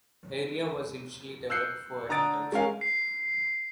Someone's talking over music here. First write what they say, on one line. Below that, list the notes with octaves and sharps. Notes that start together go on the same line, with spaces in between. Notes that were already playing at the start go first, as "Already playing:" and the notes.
The area was initially developed for agriculture.
E6 F#6 G6 C7 C#7
D3 A#5 D#6 A6 D7
G#3 C#4 A#4 F5 G#5
C7